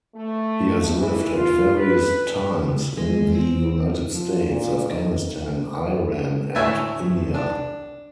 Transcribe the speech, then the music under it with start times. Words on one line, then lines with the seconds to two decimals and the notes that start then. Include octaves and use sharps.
He has lived at various times in the United States, Afghanistan, Iran and India.
0.15 A3
0.97 E3
1.34 F4
1.76 B4
2.97 G#3
3.35 C4
4.13 F3
4.49 A#2
4.88 D#4
6.55 D2 A2 E5 G#5 A5
7.34 D4